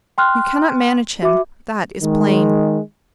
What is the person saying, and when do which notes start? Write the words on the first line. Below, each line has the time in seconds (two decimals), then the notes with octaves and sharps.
"You cannot manage him; that is plain."
0.18 G5 C6 F6 F#6
1.22 F#4 E5 D6
2.02 D#3 G#3